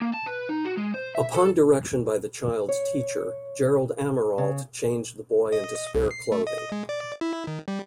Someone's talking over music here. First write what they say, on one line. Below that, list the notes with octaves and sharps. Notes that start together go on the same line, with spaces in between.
Upon direction by the child's teacher, Gerald Amirault changed the boy into spare clothing.
A#3
A5
B4
D#4
F#4
G#3
C5
E5
A4
C#5
C#3
D#5
C2
C7
A3
D#5
G#3
D5
E4
D#3
G3